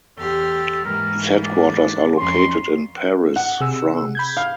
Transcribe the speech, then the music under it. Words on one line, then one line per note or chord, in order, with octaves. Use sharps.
Its headquarters are located in Paris, France.
E2 G4 A4 C6 F6
G#2 E3 A#3 A#4
D4
F2 F3 C#4 C6
F#5
C3 G#4 E6
B5 G6 G#6
F5